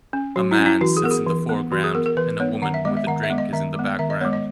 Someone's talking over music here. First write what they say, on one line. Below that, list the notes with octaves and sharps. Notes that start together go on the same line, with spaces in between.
A man sits in the foreground, and a woman with a drink is in the background.
C#4
F#3 F#4
E4
C#4
E4
E3 F#4
G#4
B3 A#4
G#4
E3
B3
E3 F#4
G#4
B3 A#4
A#4
E3 B4
B3 C#5
D#3 F#5
E5
G#3 B3 D#5
E5
D#3 F#5
E5
G#3 B3
D#5
D#3 E5
G#3 B3
D#3 E5
D#5
G#3 B3 C#5
D#5